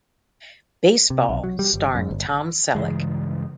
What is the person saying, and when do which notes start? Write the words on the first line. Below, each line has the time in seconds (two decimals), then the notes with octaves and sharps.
Baseball starring Tom Selleck.
1.10 C3
1.29 B1
1.44 F#3
1.59 G3
1.74 G1
1.95 F#2
2.11 G1
2.75 G2 C#3 E3 G#3